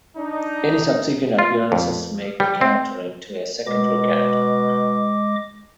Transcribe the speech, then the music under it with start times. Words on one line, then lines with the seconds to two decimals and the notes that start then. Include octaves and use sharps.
Any subsequent appearances make the character into a secondary character.
0.18 D4 D#4
1.39 F4
1.72 F2
2.40 G3
2.61 C4
3.66 B2 G#3 D#5 D6